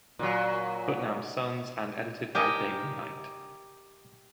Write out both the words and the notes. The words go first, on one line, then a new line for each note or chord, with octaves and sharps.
Putnam's Sons and edited by Damon Knight.
A#2 F#3
G4 A#4 D#5 G#5